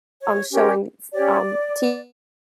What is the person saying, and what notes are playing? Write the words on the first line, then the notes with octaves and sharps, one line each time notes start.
um, showing, s um, TV
C#5
C#4 G4 A#4
C#4 G4 C#5 D5